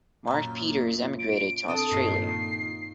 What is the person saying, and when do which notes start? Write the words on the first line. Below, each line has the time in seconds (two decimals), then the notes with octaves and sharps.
Mark Peters emigrated to Australia.
0.27 F#2 A#2 A#5
1.19 D7
1.68 C4 D4 A4 D#6
1.92 G2 A#2 D#3 D#4 C7